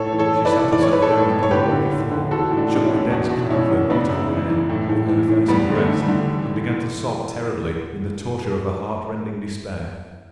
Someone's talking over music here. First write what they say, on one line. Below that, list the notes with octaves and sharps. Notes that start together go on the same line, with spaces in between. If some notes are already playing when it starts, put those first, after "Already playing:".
She sat herself down upon the rocky floor, shook the dense cloud of her beautiful hair over her face and breast, and began to sob terribly in the torture of a heartrending despair.
Already playing: A2 A4 C#5
E3
A4 C#5
E3
B4 D5
E3
E3 D5
C#5
E3 B4
A4 C#5
A2
A2
C#5
D3 G4 B4
D3
D3
D3
E3 F#4 A4
A2
D4 F#4
E3 D4
C#4 E4
A2
E2 D4 F#4
B2
B2 C#4 E4
E2
C#3 B3 D4
F#2
E3
E3
A2
A2
E3
A2
E2 G3 B3
D3
A3
D3
G3
D3
E3
E3
E3
E3